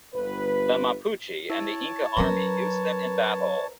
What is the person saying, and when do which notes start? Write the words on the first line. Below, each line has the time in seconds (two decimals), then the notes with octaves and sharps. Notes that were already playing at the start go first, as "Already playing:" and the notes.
The Mapuche and the Inca army used them in battle.
0.13 G1 B4
1.50 E4 C#5 A5
2.17 F#3 C#4 A#4 B4 A#5